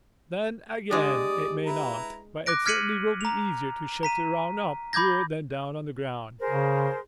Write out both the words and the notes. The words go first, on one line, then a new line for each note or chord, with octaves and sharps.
Then, again, it may not, but it certainly will be easier to shift around up here than down on the ground.
G#3 D4 G4 D5 D#6
E4 B4 A#5
D6 F#6 A#6 D7
F6 G#6 B6 C#7 D#7 F#7
A#5 F7
A#5 B6 D#7
B5 D6 G6 G#6 A#6
G#4 A#4 C5
C#3